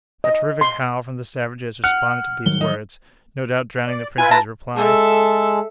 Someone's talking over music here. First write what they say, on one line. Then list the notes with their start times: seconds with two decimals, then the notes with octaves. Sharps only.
A terrific howl from the savages responded to these words--no doubt drowning the prisoner's reply.
0.24 D#5
0.61 C6
1.84 F#5 F6 F#6 C#7
2.46 D#3 F#3 G3 G7
2.61 D#4
3.86 D5
4.18 E4 F4 B4 G#5
4.31 A5 A#5
4.76 G#3 G#4 A4 E5 A5